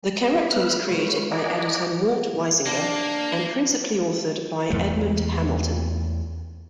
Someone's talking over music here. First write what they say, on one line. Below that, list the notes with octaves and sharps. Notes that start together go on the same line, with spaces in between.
The character was created by editor Mort Weisinger and principally authored by Edmond Hamilton.
D5 B5
B3 B4 E5 F6 F#6
G#3 F4 B4 C#5
D5 D#5 F#5 G#5 A#5 D6
A#3 D4
E2 A3